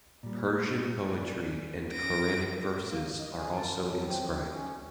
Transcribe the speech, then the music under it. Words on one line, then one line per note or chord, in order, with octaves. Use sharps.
Persian poetry and Quranic verses are also inscribed.
A#2 G3
F#4 G#4 D5
C#4 B4 A#6 D7
A2
A#3
G#2
D#5
G#4
A5
F#3
C4
D#2
C#4
D2